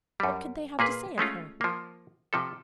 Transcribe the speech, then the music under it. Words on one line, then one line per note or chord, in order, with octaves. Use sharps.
What could they have to say of her?
F#2 G3
A#2 A#3 G#4 B4
G#3 A3 C#4 F4
F3 A#3
C3 F3 A4